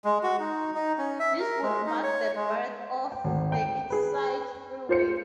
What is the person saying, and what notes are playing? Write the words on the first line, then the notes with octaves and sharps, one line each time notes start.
This would mark the birth of the Eastside Freeway.
G#3
F#4
D#4
D#4
C#4
E5
A#4
G#3
D#4
C#5
G#3
G5
G#1 D2
G5
G#4 B4
F4 C5 C#7